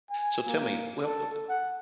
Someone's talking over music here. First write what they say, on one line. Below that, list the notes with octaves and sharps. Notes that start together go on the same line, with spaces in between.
So, tell me well, oh
G#5
A#3
A4
F#5